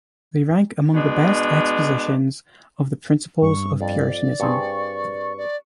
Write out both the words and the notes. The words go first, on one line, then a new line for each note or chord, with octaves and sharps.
They rank among the best expositions of the principles of Puritanism.
B2 G#3 D4
G2 C#6
F2 D5
G2 C4 G#4 C#6
D5